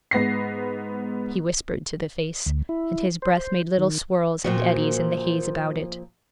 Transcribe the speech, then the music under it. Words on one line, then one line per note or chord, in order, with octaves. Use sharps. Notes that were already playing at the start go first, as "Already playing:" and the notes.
He whispered to the face, and his breath made little swirls and eddies in the haze about it.
G#2 B3 A#6 C7
D2
E4
C5
D#3
A#2 F3 F#4